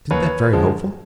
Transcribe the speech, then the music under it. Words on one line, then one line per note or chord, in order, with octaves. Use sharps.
"Isn't that very hopeful?"
D#2 B4 C#5
D3 F3 G#3